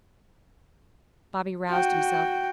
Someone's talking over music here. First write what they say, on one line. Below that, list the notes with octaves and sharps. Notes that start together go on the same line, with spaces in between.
Bobby roused himself.
F#4 G5